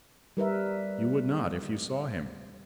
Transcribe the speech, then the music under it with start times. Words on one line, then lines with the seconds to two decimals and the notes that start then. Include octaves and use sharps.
You would not if you saw him.
0.37 G3 A#4 B4 E5